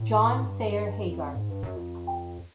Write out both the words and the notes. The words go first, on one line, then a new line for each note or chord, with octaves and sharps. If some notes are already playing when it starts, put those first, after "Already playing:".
John Sayer Haygarth.
Already playing: A2
G2
F2
G#2
G2
F#2
F2